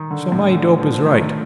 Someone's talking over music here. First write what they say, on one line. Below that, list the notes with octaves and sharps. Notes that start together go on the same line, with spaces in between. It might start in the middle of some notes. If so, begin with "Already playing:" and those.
So my dope is right.
Already playing: D#3
D3
A2
D3
F3
D#3